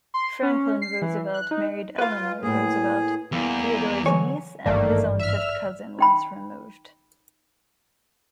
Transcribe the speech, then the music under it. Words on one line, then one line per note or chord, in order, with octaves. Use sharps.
Franklin Roosevelt married Eleanor Roosevelt, Theodore's niece and his own fifth cousin once removed.
C6
C#4
C7
E3
F#6
D#4
F4 B4 F5
A2 A#3 G#4
E2 G3 A#3
D3 F#3 C#5 G#5
G#1 G2 D#3 E3 A3 A#3 D5
E5 F6
D#4 G5 B5